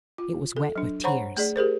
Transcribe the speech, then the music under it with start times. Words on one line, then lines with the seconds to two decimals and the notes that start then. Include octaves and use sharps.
It was wet with tears.
0.18 F4
0.57 A4
0.76 F#3 D4
1.04 C5 C#5 F#5 A#5 B5 C#6
1.37 A3 G#4 D5
1.56 G4 G#4 A#4 C5